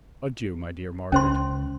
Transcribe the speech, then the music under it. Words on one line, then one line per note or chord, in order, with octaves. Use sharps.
Adieu, my dear Margaret.
C#2 C#4 C5 C6